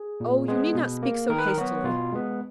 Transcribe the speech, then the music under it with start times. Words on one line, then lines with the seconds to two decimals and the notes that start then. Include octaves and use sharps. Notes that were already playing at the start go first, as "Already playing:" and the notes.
'Oh! you need not speak so hastily.
Already playing: G#4
0.20 A#2
0.48 G#3 B3
0.75 B2
1.03 A#3
1.29 D#3 A#4
1.38 B4
1.47 A#4
1.58 F#3 B3 F#4
1.84 B2 F4
2.12 G#3 B3